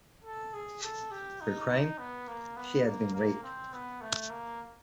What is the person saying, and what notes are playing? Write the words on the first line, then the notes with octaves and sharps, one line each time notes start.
Her crime: she had been raped.
A4
G#4
A4
G4
D#4
B3
A#3
B3
A#3
A#3
C4
B3
A3
A#3